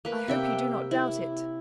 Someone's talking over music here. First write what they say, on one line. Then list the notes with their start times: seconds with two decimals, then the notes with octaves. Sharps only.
"I hope you do not doubt it."
0.05 A#3 B4
0.28 C3 E5 G5
0.91 E4